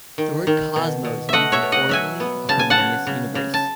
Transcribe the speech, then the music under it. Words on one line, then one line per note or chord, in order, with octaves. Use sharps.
The word "cosmos" means an orderly and harmonious universe.
D#3
D#3
B2
B2
A3 D#5 E5 F#5
C#5 E5
B2
D#5 F#5
F#3 E5 G#5
B3
C#3 A5
G#5
F#5 A5
C#3
C#3
C#3
A5